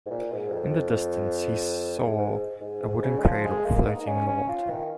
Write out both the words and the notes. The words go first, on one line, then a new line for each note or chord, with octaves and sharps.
In the distance he saw a wooden cradle floating on the water.
G#2
A#2
G#2
F2
G#2
G#2
G#2
G#2
C#3
G#3
F3
G#3
A#3
D#4
C#4
C#4
F4
D#3